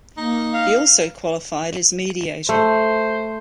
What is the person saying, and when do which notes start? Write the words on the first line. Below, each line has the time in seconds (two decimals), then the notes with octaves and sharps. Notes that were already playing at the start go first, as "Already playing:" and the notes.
He also qualified as mediator.
0.17 A#3 D#4
0.54 F5
2.49 A3 C5